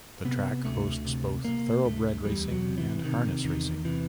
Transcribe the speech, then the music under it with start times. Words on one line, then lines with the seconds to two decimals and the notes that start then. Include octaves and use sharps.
The track hosts both thoroughbred racing and harness racing.
0.25 C3 B3
0.65 D2 A3
1.05 C3
1.45 C3 A#3
1.85 D2 A3
2.25 E2 G3
2.51 F#3
2.65 C3
2.78 E3
3.05 C3 D#3
3.44 E2 D#3
3.85 C3 E3